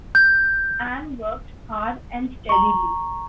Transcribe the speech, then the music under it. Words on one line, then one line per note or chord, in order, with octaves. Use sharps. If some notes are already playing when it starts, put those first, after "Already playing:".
Anne worked hard and steadily.
G6
A#5 C#6